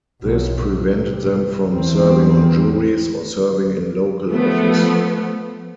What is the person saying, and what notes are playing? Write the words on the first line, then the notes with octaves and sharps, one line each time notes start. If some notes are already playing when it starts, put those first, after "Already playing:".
This prevented them from serving on juries or serving in local office.
B1 B2 F#3
A2 C3
E2 C4
F3 A3 B3